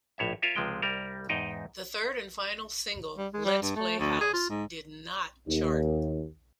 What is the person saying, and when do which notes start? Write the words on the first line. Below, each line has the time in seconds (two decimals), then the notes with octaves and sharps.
The third and final single, "Lets Play House", did not chart.
0.18 A#1 A2 C#5 E5
0.42 F4 A#4 C#5 E5
0.56 C#2 C3 F3 G#3 G5
0.82 C2 G3 A#4
1.29 E2 G#2 D#4 D#5 G5
3.17 G3
3.33 G#3
3.45 G3
3.62 G2
3.76 A3
3.99 D2
4.20 G#4
4.33 F4
4.49 G#2
5.47 D#2